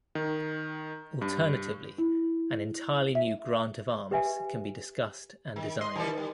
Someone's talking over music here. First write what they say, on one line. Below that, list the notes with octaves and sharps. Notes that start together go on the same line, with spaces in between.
Alternatively, an entirely new grant of arms can be discussed and designed.
D#3
G2
E4
E5
G4 B4 E5 G#5
D#3
D#5 C6
D#3 E3 G3 D5
G3